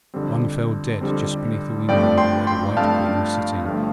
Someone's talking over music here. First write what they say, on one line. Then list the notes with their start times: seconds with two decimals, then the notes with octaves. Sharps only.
One fell dead just beneath the window where the white Queen was sitting.
0.14 F2 D3 G3 C4
1.01 F2 D3 G3 C4
1.88 G2 F3 A3 C4 D5 G5
2.18 G5 C6
2.47 G5 C6
2.77 G2 F3 A3 C4 F5 A5
3.64 G1 G2 F3 A3